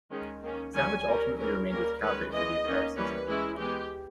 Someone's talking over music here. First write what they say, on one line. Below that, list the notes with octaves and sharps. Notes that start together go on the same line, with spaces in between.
Savage ultimately remained with Calgary for the entire season.
D#3 G#3 C#4
D#3 A#3 C#4
D#3 G3 A#3 C#4 G#5
G3 C#4 A#4
E3 G#3 C#4 A#4
G3 A#3 C#4 A#4
D#3 G#3 C#4 B4
E3 G#3 B3 D#5
D#3 A#3 C#4
E3 G3 A#3 C#4 B4
E3 G#3 C#4 E4
E3 G#3 B3 G4